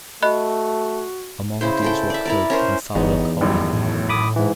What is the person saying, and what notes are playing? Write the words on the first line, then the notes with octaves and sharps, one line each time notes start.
Among these were Coke and Fowler Cowling.
A3 F#4 D#5 B5 F#6
C#3 E4 C5
E4 A4 G5
D5 E5
E4 A#4 D5
C#4 A#4 C5
G1 E2 B3 D#4 C#5
A1 F#2 D#3 G3
A2
B5 D6 D#6
G#2 E3